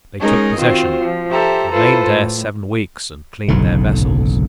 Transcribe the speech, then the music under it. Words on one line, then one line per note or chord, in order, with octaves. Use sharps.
They took possession, remained there seven weeks, and cleaned their vessels.
G#3 C#4 D#4 G#4 A#4 D#5
D#3 C4 F4 F#4 C5
F3
G4 A4 C5 E5 A#5
E4 F4 A4 B4 C5
A2
F#1 B1 G#2 D3